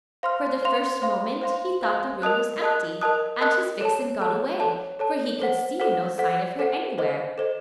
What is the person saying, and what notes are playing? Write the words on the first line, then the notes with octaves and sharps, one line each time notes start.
For the first moment he thought the room was empty, and his vixen got away, for he could see no sign of her anywhere.
C5 F5 C6 F6
C5 F5 C6
C5 F5 C6
C5 F5 C6
C5 F5 C6
A#4 D#5 A5 D#6 F#6
A#4 D#5 A5 D#6 F#6
A#4 D#5 A5 D#6 F#6
A#4 D#5 A5 D#6 F#6
A4 C#5 A5
A4 C#5 A5
A4 C#5 A5
A4 C#5 A5
A4 C5 F#5
A4 C5 F#5
A4 C5 F#5
A4 C5 F#5
A4 C5 D#5
A4 C5 D#5